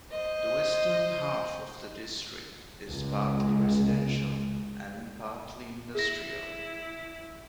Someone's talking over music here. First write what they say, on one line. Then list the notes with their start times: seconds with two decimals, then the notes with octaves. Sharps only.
The western half of the district is partly residential and partly industrial.
0.11 C5 D#5
2.91 C#2 C#3 G#3
5.95 E4 G#4 A#6